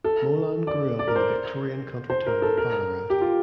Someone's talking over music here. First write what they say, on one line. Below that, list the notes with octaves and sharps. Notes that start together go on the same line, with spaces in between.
Molan grew up in the Victorian country town of Ballarat.
A4
D5
D5
A#4
C5
C5
A#4
A4
A#4
G4
F4